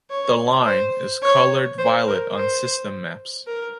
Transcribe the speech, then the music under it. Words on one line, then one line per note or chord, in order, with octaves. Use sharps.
The line is colored violet on system maps.
C#5
C5
C#5
C5
A#4
C5
A#4